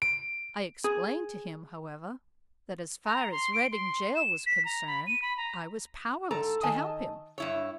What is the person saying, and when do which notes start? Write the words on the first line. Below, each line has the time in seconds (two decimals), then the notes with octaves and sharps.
I explained to him, however, that as far as Reading gaol was concerned, I was powerless to help him.
0.02 D7
0.84 G#4
3.05 A#5
3.32 C6
3.53 D7
3.72 C6
4.16 E7
4.46 B6
4.65 A#5
4.87 B5
5.07 D#7
5.22 B5
5.37 A#5
6.31 G#2 A4 A#5
6.63 D#3 D#5 G#5 A5
7.38 G2 E4 C#5